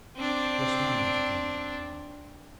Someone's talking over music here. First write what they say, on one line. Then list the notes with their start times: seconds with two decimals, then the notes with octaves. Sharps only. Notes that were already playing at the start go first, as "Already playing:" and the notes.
"Just knives," came the reply.
0.16 C4 D4